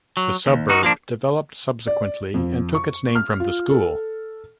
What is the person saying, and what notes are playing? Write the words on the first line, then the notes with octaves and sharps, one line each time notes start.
The suburb developed subsequently and took its name from the school.
F#3
D#2
D#4 F#4
F3 A#3 D4
D5
F2
C#6
F6
F4
A4